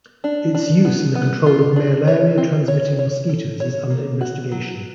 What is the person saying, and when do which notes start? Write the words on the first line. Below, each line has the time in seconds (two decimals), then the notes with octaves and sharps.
Its use in the control of malaria-transmitting mosquitos is under investigation.
0.24 D4
0.55 D4
0.85 B3
1.15 B3
1.46 F4
1.76 D4
2.07 C#5
2.38 C4
2.68 C#5
2.99 C#5
3.29 A4
3.60 C#5
3.90 A#3
4.21 F#4
4.52 F#3